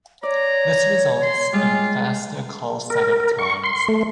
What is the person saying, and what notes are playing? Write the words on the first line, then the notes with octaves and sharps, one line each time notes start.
This results in faster call setup times.
C#5 D5 A#5
C6
G3 G#3 F4 G#4
A#4
A#4
C#6
C6
A3